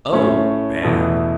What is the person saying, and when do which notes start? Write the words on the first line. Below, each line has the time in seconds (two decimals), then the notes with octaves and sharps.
"Oh! Bad!"
0.12 A2 A3 C#4
0.82 E2 B2 A3 E4